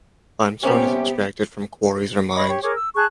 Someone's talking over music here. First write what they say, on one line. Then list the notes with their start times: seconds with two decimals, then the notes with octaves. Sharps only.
Limestone is extracted from quarries or mines.
0.63 C3 G3 A#3 B3 C#4 G4
2.35 C#5 D#5 B5
2.49 G4 C#5
2.62 G#4 A#4 C#5 D6
2.76 E6
2.95 G#4 A5 C#6 F#6